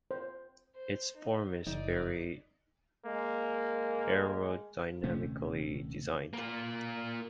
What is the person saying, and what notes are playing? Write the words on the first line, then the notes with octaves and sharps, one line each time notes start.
Its form is very aerodynamically designed.
C5
C5
D#4
F#1 D#4 D5
G#3 A#3
D#1 C3 A3 C#4
A#3 F4